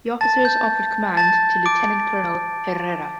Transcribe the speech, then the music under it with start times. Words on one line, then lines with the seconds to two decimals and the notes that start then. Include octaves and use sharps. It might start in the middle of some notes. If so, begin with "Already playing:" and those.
The officers offered command to Lieutenant Colonel Herrera.
0.21 A5 A6
0.45 G6
1.17 A5 A6
1.66 D6 D7